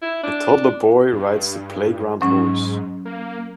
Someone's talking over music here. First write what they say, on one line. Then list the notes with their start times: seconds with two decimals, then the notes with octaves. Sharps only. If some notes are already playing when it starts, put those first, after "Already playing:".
A toddler boy rides the playground horse.
0.02 E4
0.24 D4
1.13 G2
2.22 G#2 F#3 C#4
3.05 A#3